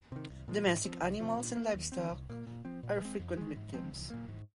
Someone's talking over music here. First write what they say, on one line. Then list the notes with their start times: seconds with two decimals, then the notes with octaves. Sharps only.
Domestic animals and livestock are frequent victims.
0.12 C3 D#3
0.29 C2
0.48 A#2 F3 G#3
0.66 G#2
0.84 G#3 C4
0.88 F3
1.02 C2
1.20 C3 F3
1.38 A#2
1.57 A#3
1.74 D#2
1.92 C4
1.97 D#3
2.11 C2
2.29 A#2 A#3
2.47 A#2
2.65 F3 C4
2.83 A#2
3.01 G#3 C4
3.20 F2
3.37 D#3 G#3
3.56 G#2
3.74 F3 G#3 C4
3.92 C2
4.10 A#2 A#3
4.28 G#2